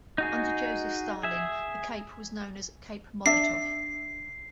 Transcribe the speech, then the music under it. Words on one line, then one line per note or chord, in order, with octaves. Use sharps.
Under Joseph Stalin the cape was known as Cape Molotov.
D#4 F#4 G#4
G#4 E5
D4 E5 C7